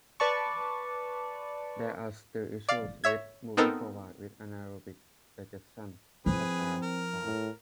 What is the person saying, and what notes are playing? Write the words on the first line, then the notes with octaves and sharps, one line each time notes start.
There are still issues with moving forward with anaerobic digestion, such as cost.
B4 D5 A5 C#6
D5 F5
C#5 E5 G#6
B3 C4 D#4 A4 A#4
F3 C4 E4 G#4 B4
A#4
A2